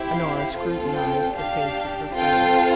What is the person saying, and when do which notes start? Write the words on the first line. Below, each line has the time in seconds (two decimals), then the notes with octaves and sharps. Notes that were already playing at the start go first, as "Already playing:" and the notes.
Honora scrutinized the face of her friend.
Already playing: C4 E4 G4
0.13 F5
0.54 C4 F4 A4
0.95 G5
1.35 D4 G4 F5
2.16 C4 F4 A4 G5